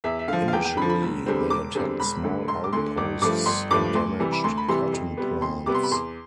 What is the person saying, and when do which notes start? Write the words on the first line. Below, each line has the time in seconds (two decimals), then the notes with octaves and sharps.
Initially, they attacked small outposts and damaged cotton plants.
0.04 E2 E5
0.19 E5
0.28 D3 F3 F5
0.48 F5
0.53 E2 G5
0.65 G5
0.77 D3 B5
0.82 F3
0.89 B5
1.02 E1
1.26 E2 D3 G3 C4
1.50 E1 D6
1.75 E2 D3 G3 C4
1.99 E1 B5
2.24 D2 D3
2.48 E1 C6
2.64 D6
2.73 D2 D3 C6
2.97 G1 D6
3.21 G2 F3 A3 D6
3.46 G1 C6
3.71 G2 F3 A3 D6
3.95 D2 C6
4.19 C3 E3 G3
4.32 B5
4.44 D2 C6
4.57 B5
4.68 C3 E3 G3 C6
4.93 F2
5.17 C3 G3 B3
5.42 F2 C6
5.66 C3 G3 B3 D6
5.75 C6
5.83 B5
5.91 E2 C6